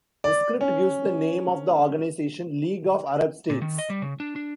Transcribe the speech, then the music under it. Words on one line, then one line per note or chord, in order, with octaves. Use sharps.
The script gives the name of the organization: "League of Arab States".
D5
C#4
A#2
D#3
D#5
G3
C#3
D4
D4